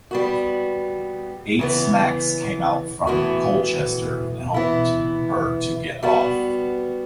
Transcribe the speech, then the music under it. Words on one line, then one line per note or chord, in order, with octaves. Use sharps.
Eight smacks came out from Colchester and helped her to get off.
G3 B3 F#4
C#3 E3 B3
A2 E3 B3 F#4
E3 B3 E4
G3 B3 F#4